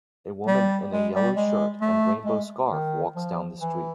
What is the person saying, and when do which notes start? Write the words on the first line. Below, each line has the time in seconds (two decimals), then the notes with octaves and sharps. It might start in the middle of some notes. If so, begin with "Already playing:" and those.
A woman in a yellow shirt and a rainbow scarf walks down the street.
0.47 G3
0.93 G#3
1.15 G3
1.36 G#3
1.81 A3
2.26 G#3
2.71 D#3
3.16 F3
3.61 E3